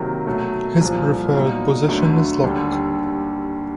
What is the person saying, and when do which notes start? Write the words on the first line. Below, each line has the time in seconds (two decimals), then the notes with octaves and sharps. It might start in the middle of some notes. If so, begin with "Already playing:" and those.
His preferred position is lock.
Already playing: C3 D#3 F#3 A#3
0.27 B2 F#3 A3
0.81 C2 A#2 F3
1.34 A#2 F#3 B3 D#4
1.88 D2 D3 F#3 A3
2.44 D#2 D3 G3